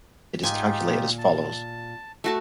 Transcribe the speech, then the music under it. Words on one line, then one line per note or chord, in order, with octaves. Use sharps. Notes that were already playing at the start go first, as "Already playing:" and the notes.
It is calculated as follows.
G#2 D#4 F4 G4 G#5
A#2
A5
A3 F#4 A5